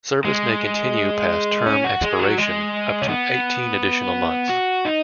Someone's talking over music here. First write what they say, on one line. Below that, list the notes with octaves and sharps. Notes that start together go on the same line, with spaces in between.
Service may continue past term expiration up to eighteen additional months.
G#3
C#4
F#4
G#3
F#3
G#3
C#4
B3
F#4
D#4